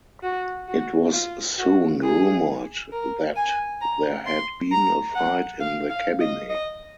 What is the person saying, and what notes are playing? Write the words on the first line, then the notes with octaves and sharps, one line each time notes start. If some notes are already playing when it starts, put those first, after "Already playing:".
It was soon rumored that there had been a fight in the cabinet.
F#4
F#4
F4
F#4
G#4
A#4
G#5
A#5
C6
A#5
F#5
F5
F5
D#5
D#5